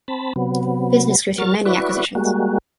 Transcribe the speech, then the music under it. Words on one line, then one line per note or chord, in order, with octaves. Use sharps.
Business grew through many acquisitions.
C4 A5 B5
C3 F#3 B3
F#3 A#4 C#6 F6 A6
E4 F#4 B4 D5 C#6
G3 G#3 A#3 F#4